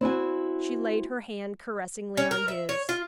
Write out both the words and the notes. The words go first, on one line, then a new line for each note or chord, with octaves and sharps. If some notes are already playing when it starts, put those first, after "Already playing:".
She laid her hand caressingly on his.
C4 E4 F#4 G#5
C#4
A#4
E5
C#5
F4